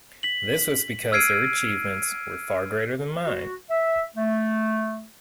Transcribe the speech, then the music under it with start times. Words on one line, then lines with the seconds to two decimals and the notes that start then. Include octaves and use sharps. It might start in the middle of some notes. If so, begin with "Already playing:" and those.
This was because their achievements were far greater than mine.
0.23 B6 F#7
1.12 E6 F6 G#6 C7 D7 D#7
3.26 F#4
3.70 E5
4.16 A3